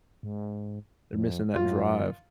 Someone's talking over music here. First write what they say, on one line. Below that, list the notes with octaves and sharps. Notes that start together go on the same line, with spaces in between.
They're missing that drive,
G#2
F2
F#2 F4